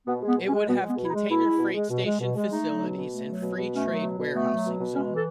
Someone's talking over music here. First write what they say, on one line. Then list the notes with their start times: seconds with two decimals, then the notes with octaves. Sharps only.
It would have container freight station facilities and free trade warehousing zone.
0.07 B2 B3
0.22 G#3
0.27 B3
0.38 B2
0.47 C#4
0.52 G#3
0.67 B2 B3
0.83 G#3 B3
0.98 B2
1.04 E4
1.09 D#4
1.14 G#3
1.29 B2 E4
1.44 G#3
1.59 B2
1.74 G#3
1.90 B2
2.04 G#3
2.20 B2
2.35 G#3
2.50 A3 D#4
2.65 F#3
2.80 B2
2.96 B2
3.11 A3
3.26 F#3
3.41 B2
3.57 B2
3.72 A3 C#4
3.87 F#3
4.03 B2
4.18 B2
4.33 A3 B3
4.48 F#3
4.63 B2
4.79 B2
4.94 G#3 C#4
5.08 E3
5.14 A4